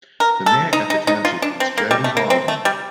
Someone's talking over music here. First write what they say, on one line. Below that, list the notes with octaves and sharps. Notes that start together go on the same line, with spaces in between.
The mayor of the township is Jody Wildman.
A#4
A4
D#4
D#4
D#4
F4
D4
C4
A#3
G3
A3
A#3
C4
A3
G3